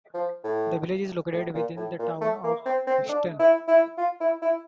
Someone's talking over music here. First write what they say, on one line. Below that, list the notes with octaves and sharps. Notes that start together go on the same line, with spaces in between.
The village is located within the Town of Hixton.
F3
A2
A2
A#2
A2
A#2
A3
A#3
C4
C4
D4
E4
E4
F4
E4
E4